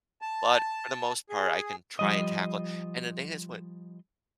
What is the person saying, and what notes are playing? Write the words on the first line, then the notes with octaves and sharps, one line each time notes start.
But for the most part, I can try and tackle it and the thing is with
A5
G#4
F3 G3 D#5